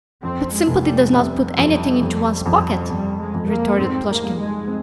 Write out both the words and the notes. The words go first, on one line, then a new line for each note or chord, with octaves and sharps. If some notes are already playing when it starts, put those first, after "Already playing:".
"But sympathy does not put anything into one's pocket," retorted Plushkin.
F2 C4
G#3
F1
G3
C3 G3
F2
F2
F2
F2 G3
G#3
F2
A#3
G#2 C4
A#3
G3
G#3
C4